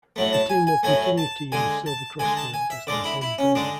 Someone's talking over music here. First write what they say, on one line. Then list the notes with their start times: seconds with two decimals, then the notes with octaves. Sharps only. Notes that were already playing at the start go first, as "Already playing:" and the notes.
The team will continue to use Silver Cross Field as their home venue.
0.16 A2 F#3 A3
0.33 A5
0.49 G#5
0.67 G#5
0.83 A2 F#3 A3 G#5
1.18 A5
1.52 D3 G#3 G#5
1.86 A5
2.19 D3 G#3 G#5
2.37 A5
2.54 G#5
2.70 E5
2.87 D3 G#3 D5
3.04 E4
3.21 E4
3.38 C#4
3.55 D3 G#3 D4